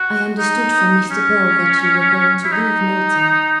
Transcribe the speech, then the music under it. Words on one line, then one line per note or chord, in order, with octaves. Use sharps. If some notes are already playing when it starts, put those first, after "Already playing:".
I understood from Mr. Bell that you were going to leave Milton.
Already playing: F#4
D#4
C#4
E4
D#4